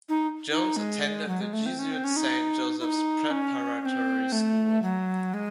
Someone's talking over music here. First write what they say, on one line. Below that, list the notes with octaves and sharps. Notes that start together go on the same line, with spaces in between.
Jones attended the Jesuit Saint Joseph's Preparatory School.
D#4
D#4
G#3
F#3
G#3
A3
C4
C#4
C4
C#4
D#4
E4
D#4
C#4
C#4
C4
A3
F#3
G#3